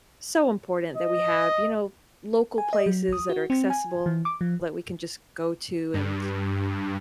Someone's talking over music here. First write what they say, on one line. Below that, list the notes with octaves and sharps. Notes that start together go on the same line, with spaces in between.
so important that we have, you know, local places that are accessible that we can just go to and,
D#5
G#5
D#5
F#3
D#6
F#4
C4
G#5
E3
D6
F3
G2